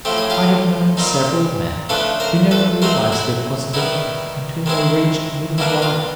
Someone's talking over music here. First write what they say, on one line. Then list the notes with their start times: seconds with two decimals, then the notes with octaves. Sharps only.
I have known several men who never realized their possibilities until they reached middle life.
0.05 A2 F3 A3 C4 G4
0.18 G#4
0.30 F4 G4
0.97 A#2 G3 C4 D#4
1.89 C#3 F3 A3 D4 A4 B4
2.20 A#4 C5
2.51 A4 B4
2.82 F#3 A3 C4 D#4 A#4 C5
3.12 E4 F#4
3.73 D#3 G3 B3 D#4 E4
4.66 D#3 G#3 C4 E4
5.58 B2 G3 A#3 D4 E4
5.82 F4